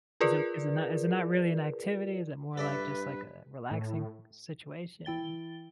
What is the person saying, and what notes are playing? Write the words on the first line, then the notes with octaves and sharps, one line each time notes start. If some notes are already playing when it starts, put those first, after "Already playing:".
Is it is it not is it not really an activity? Is it more like, just, like a relaxing situation?
F4 G#4 A#4 B4 D5
G2 A4 B4 D5 E5
A2
E3 E4 G5 A6 G7